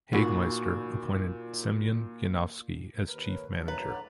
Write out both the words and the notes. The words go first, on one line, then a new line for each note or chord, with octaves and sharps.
Hagemeister appointed Semyon Yanovsky, as Chief Manager.
A#2 D#4 F4 F#4 B5
D#2 A#4 B4
C#5
D2 F3 A5
B4 C#5 A#5
A2 D3 D5